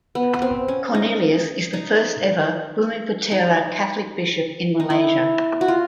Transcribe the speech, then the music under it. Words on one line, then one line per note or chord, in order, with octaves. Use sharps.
Cornelius is the first ever bumiputera Catholic bishop in Malaysia.
B3
B3
C4
C#4
D#4
D#4
D#4
D#4
E4
F#4
F4